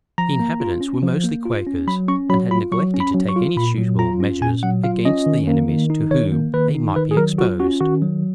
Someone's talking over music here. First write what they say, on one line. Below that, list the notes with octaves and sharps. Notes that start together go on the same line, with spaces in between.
The inhabitants were mostly Quakers, and had neglected to take any suitable measures against the enemies to whom they might be exposed.
F3 A#5
A#3
F4
C#4
F3
A#3
F4
C#4
F#3 B5
C#4 C#6
F#3 B5
F4 B5
F#3 C#6
C#4
B5
F#3
C#6
F4
A#2 B5
F#3
F4 A#5
C#4
A#2 G#5
F#3 F#5
F4 F5
C#4 D#5
D#3
A#3
D#3
D#4
D#3 C#5
A#3
D#3 B4
D#4
D#3 B4
G#4
F#3 A#4
F4 F#4
C#4 F#4
D#3 F#4
F#3